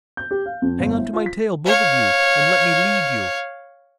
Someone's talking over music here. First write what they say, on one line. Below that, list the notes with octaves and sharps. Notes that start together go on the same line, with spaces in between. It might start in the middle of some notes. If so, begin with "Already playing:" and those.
Hang onto my tail, both of you, and let me lead you.
G6
G4
F5
F2
G1
E4
F4
B6
C#5 F5